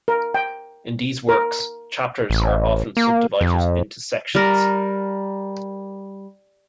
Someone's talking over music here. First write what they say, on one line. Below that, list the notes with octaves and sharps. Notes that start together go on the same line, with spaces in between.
In these works, chapters are often subdivided into sections.
A#4
G5
A#4
A1
A#3
F2
G3 A#4